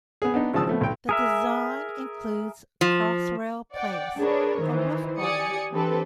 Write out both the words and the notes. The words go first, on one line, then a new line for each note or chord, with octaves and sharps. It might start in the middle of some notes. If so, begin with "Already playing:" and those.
The design includes Crossrail Place, a roof garden.
B3 G#4
B3 D4 D#4
G#1 C#3 F3 A5 D#6 E6
F3 A3 B3
B1 G5
G#4 A#4 E5
F3
D5 F#5 G5
D4 G#4 A#4 B4 C#5
D#3 E3 C5
G4 D5 G#5 D#6 C#7
E3 C4 D4 G4 A4 B4